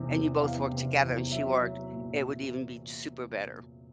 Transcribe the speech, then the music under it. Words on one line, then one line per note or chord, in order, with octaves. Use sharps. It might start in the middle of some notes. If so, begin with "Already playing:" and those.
and you both work together, and she worked, it would even be t super better.
Already playing: E2 C3
E3
E2 F5
C3
E2
F#3 E5
F#3
A#2